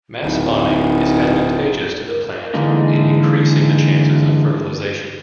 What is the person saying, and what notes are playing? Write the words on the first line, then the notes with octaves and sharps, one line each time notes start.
Mass spawning is advantageous to the plant in increasing the chances of fertilisation.
D1 D#4
A#4
D3 E3 G#3 A#3 D#4